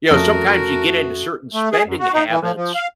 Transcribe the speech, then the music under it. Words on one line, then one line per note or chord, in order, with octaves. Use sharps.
you know, sometimes you get into certain spending habits,
F2 A3 C#4 F#4 A#4 D#6
A3
G#4
F#2
F#4
D#4
E3
F3
F3
F5